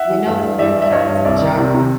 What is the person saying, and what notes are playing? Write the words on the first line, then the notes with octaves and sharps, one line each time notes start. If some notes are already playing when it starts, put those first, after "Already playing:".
You know the third time's the charm.
Already playing: E5 F#5
E3
G2
G2
E3 D5 E5
G2
E5
G2 C#5 D#5
G2
C2 D5 E5
D#3
C3
C3